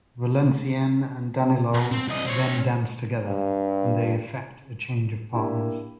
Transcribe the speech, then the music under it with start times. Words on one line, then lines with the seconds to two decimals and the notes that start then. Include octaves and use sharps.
Valencienne and Danilo then dance together, and they effect a change of partners.
1.74 B2
1.91 C4
2.07 C2 D#5
2.26 C4 C#5
3.27 G2
5.34 A#3 D4 E4 G4